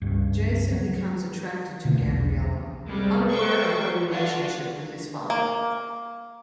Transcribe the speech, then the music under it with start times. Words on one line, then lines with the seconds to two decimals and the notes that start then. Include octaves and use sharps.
Jason becomes attracted to Gabriela, unaware of her relationship with his father.
0.02 C#2 G2
0.72 F#3
1.85 B2 D3 A3 A#3
1.99 B1 E2 A#3
2.88 C2 G3 G#3
3.30 A4 B4 C5 G5 C#6
4.09 D4 F4 F#4
5.30 A#3